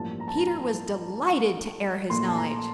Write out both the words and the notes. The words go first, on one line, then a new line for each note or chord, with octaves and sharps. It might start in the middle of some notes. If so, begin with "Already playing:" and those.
Peter was delighted to air his knowledge.
Already playing: A1 G2 F3 A#3 A5
A#5
A5
A#5
A#5
A#1 A#2 A3 C6
A5
A#5